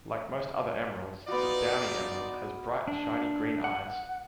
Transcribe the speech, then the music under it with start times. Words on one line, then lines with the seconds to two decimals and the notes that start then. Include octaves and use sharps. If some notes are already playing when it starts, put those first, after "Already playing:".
Like most other emeralds, the downy emerald has bright shiny green eyes.
1.28 B3 D#4 F4 F#4 D5
2.88 D4
3.64 F#5